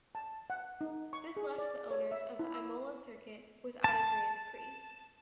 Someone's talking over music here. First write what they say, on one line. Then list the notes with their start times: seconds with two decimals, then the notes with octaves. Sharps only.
This left the owners of the Imola circuit without a Grand Prix.
0.15 A5
0.50 F#5
0.81 D#4
1.13 C#6
1.37 G#4
1.58 D5
1.91 C#5
2.12 E5
2.39 E4
2.54 E6
3.84 A5